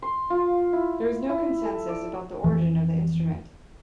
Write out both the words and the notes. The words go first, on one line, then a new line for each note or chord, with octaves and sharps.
There is no consensus about the origin of the instrument.
C6
F4
E4
E4
A4
D5
F2 E3